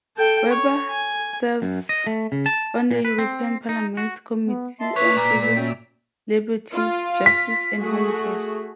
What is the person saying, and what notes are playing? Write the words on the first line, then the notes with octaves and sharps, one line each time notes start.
Weber serves on the European Parliament's Committee on Civil Liberties, Justice and Home Affairs.
A4 G5
C#5
G#5
F#2
D#5
A3
C#3
A5
A#2
B4
C4
D#4
F#4
B3
D#5 E5 A5 C6
D4 B4 C#5 B6
A#2 A#5
B4
C#4 F#4 E5 G5
F4
B6
A3 F#4 G#4